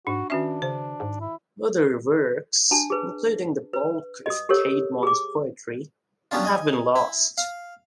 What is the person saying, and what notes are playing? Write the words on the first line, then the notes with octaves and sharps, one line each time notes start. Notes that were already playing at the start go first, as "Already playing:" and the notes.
Other works, including the bulk of Caedmon's poetry, have been lost.
G#2 D4 F#4
D#3 C#4 D4 F#4 E5
C#3 C5
G#2
E4
D4 A5
G#4 B4
B4
D#5 D#6
G4 A4 A#4 C#5
G#4 D6
F#3 G3 B3 C#4 D4 F4
D#5 G#5
E4
F5